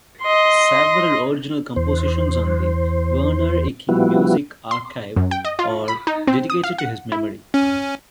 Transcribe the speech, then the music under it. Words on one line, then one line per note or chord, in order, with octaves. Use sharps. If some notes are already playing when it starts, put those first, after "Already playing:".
Several original compositions on the Werner Icking Music Archive are dedicated to his memory.
D#5 C6
E2 C5
F3 G3 B3 E4 F#4
C6
F#2
G5
D#5
F4
B5
D#4
C4
D#6
F5
F#5
E4
C#4